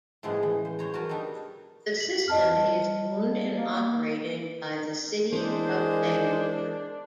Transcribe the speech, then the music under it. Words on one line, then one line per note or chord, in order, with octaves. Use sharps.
The system is owned and operated by the City of Bangor.
A2 C#3 F3 G#3 A3 B3
E3
C5
C5 C#5 A#5
F#4 A#4 B4 A5
G3 D4 D#4 G4 A4
B6 F#7
F2 D#5 A5 F6
G3
A#3
E3 G#3 D4 G#4 A#4 C5